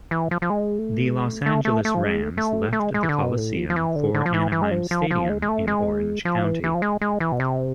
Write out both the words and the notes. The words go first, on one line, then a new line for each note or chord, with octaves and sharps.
The Los Angeles Rams left the Coliseum for Anaheim Stadium in Orange County.
E3
F3
F3
G#3
A3
G#3
A3
A3
A3
A3
F3
G#3
A3
A3
A3
G#3
G#3
E3
D3
B2
A2
F3
F3
E3
D3
D3
F3
E3
E3
G#3
F3
F3
F3
G#3
G#3
A3
G#3
F3
E3
E3
F3
G#3
G#3
E3
B2
C3